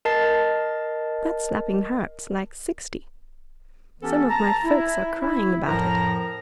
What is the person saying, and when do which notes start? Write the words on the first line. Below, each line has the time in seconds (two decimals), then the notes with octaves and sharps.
That slapping hurts like sixty; some of my folks are crying about it.
0.05 A#4 D#5 A5 A6 C7
4.02 E3 B3 C#4 G4 A4
4.29 A5 A#5
4.64 E4
5.22 E4
5.66 F2 A2 F3 A#4 A#5